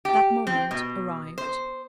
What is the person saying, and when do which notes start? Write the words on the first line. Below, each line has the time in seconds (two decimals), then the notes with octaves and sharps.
That moment arrived.
0.05 G4
0.47 C4
0.71 B2
1.38 C5